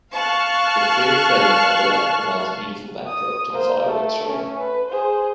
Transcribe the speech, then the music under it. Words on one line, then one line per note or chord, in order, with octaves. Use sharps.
The clear setting of the lake provides a beautiful backdrop to the fireworks show.
F5 A5 C#6 F6 F#6
D#6
A#3 C5
A3 A4
A3 C#4
B4
G#4 C5